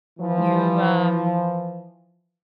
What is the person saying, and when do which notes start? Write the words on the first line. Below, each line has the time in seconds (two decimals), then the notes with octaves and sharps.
"You" um,
0.20 E3 F3